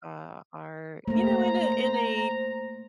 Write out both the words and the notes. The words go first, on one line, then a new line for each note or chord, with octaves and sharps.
uh, are, you know, in a, in a
A3 A#3 C5 A#5